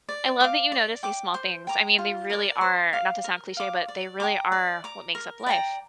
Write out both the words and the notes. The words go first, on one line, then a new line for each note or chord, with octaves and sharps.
I love that you notice these small things, I mean, they really are not to sound cliche, but they really are what makes up life.
D5
F5 D6
D5
G5 D6
C5
G5 A#5 D6
F4
A#4 D5
C5
F5 D6
A#4
F5 D6
D5
G5 A#5 D6
D5
A#5 D6
A#4
D5 G5 A#5